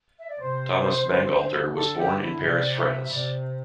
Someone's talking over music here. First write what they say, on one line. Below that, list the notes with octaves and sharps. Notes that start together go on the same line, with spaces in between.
Thomas Bangalter was born in Paris, France.
E5
D5
C3 C5
D3
D3 A4
G4
E4
C3 D5
E5
C3 D5